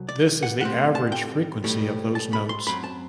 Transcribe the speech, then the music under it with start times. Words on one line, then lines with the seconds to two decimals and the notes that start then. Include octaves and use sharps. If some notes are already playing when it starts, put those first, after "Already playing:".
This is the average frequency of those notes.
Already playing: C2 F#3
0.09 D5
0.43 F#5
0.60 A2 G3 C4 F#5
0.95 A5
1.12 G5
1.64 B1 A2 G3
2.15 A5
2.33 B5
2.49 C6
2.67 F#2 F#3 C4 B5
2.84 A5